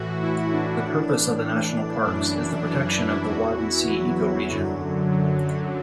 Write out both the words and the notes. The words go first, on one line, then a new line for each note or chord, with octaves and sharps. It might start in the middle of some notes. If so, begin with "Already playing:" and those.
The purpose of the national parks is the protection of the Wadden Sea ecoregion.
Already playing: A2 E3 F#4
E4
D4
A2 E3
F#2 E3 D4
D4
E4
E2 E3 F#4
E4
F#3
F#2 D3
F#3